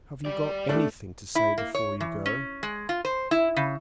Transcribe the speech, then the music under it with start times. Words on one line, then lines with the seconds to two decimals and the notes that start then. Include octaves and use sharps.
"Have you got anything to say before you go?"
0.25 G3 D5
0.69 A3 D4
1.35 E4
1.58 A#3
1.75 C#5
2.00 E3
2.26 C#4
2.63 G#3
2.89 F4
3.05 C5
3.31 E4
3.56 C#3